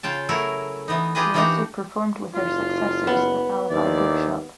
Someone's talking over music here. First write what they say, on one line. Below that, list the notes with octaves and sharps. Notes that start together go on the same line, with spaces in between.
She also performed with her successors at Alibi Bookshop.
C#3 F4 G5 A5
F#3 A3 E4 A#4 C#5
E3 B3 D#4
F4 G4 G#4 B4 D#5
E3 A#3 D4 D#4 F#4 G4
F#1 F4
B3
D#2 E4 D5